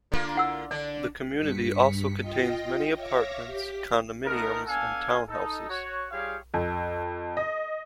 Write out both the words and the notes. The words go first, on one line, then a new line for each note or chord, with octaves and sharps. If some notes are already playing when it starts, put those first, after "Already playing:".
The community also contains many apartments, condominiums, and townhouses.
D3 A#3 F4
E4 F#5 E6
D3 D4 D5
G2 B6 C#7
F4 D#5 G5 A#6
C#5 E5 F5 D6 F6 A#6
G4 B6
A3 B3 D#4 A#4
B3 D4 A4 F5 G#5
D#4 A4
F#4 C#5
G3 F4 G4 G#4 C#5 F5
F2
D#5